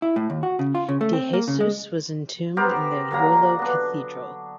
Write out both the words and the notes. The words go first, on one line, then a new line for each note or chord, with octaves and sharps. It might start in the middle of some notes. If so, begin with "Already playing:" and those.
De Jesus was entombed in the Jolo Cathedral.
E4
A2
D#2
F#4
C#3
F4
C#3
A3
C4
A#3
C#3
G#3
B3 G4 A#4 C5
D3 F#3 A#3 A#5
B3 D4